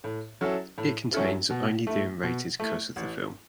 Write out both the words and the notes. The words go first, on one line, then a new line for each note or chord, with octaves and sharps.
It contains only the unrated cut of the film.
A2
F#3 C#4 E4 A4
A2
F#3 C#4 E4 A4
B2
A3 E4
B2
A3 E4
A1